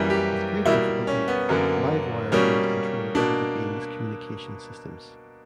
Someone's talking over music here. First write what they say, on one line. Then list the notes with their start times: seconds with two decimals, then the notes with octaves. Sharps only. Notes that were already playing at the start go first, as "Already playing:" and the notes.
With great difficulty, Livewire gains control over the being's communication systems.
Already playing: F#2 E3 G3 A#3
0.10 G4
0.65 B2 G3 A#3 E4
1.07 C#4
1.28 B3
1.49 F#2 D3 A#3
2.32 B2 G3 A#3 C#4
3.15 B2 A#3 D4